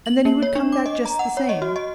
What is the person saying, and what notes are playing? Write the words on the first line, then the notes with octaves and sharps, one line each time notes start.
"And then he would come back just the same."
F#7
A#3
C#5
D4
D6
D#5
A#5
F#5
C#5
D#5
F#4
D#5